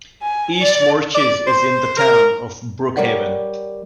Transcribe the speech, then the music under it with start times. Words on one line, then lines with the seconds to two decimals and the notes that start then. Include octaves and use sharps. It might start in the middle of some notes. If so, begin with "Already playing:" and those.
East Moriches is in the town of Brookhaven.
0.22 G#5
0.61 D5
1.15 D5
1.47 C5
1.97 A#4
2.97 G3 A#4 C#5 D5 F#5